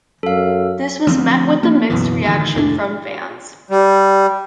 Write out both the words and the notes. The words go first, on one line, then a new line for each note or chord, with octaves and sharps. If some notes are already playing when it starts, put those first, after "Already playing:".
This was met with mixed reaction from fans.
F#2 A4 F5
D2 F3 C4
A#3 C#4
C#2 F#2 B2 E3
A1 D2 D#3
F1 A2 C4 D4
G3